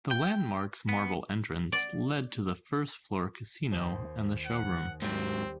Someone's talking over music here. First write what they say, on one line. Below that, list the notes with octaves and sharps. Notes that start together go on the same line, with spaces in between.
The Landmark's marble entrance led to the first-floor casino and the showroom.
G5
B3
D5
D#2 C5
F#5
G#2 F#3 G3 C4 C5